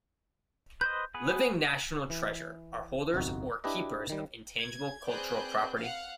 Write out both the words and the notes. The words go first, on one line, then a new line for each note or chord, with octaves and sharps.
Living National Treasure are holders, or keepers of Intangible Cultural Property.
B4 C5 D#5 G6
B3 G#4 B4
A5
E3
G1 C2 F2 D#4 F#4
D4 E4 G4 B4 D#5
D#3 G3
G#6
C4 G#4 B4 D5 F#6 G6
F5 F#5